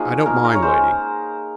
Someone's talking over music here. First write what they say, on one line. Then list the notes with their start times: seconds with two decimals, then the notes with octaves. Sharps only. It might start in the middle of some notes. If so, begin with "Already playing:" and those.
I don't mind waiting.
Already playing: F3 A#3 D#4 F#4 G#4
0.26 F3 A#3 D#4 A#4
0.45 A#4
0.55 C#5
0.62 F3 G#3 C#4 C5